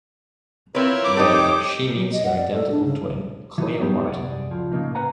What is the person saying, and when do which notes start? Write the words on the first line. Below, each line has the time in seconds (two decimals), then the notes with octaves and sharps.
There, she meets her identical twin, Clio Martin.
0.75 C4 E4 F4 A#4 B4 C#5
1.03 D6
1.17 C4 D#4 G4 A4
1.96 F#3
2.13 D#5
2.25 F#5
2.37 D5
2.54 A4
2.71 D4
2.85 C#3
3.58 E3 F#3 D#4
3.79 G#2 F#3 B3 D#4 G4
4.06 C2 F#2 G#4 D5 F#5
4.51 C#2 F3
4.72 A2 C#3 A#3 D#4
4.95 B4 C5 F#5 G#5 A#5